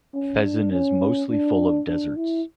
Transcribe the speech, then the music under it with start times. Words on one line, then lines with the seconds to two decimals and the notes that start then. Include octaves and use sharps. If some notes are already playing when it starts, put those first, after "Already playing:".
Fezzen is mostly full of deserts.
0.14 C#4
0.44 D4
0.72 C#4
1.30 D4
1.88 D4
2.16 E4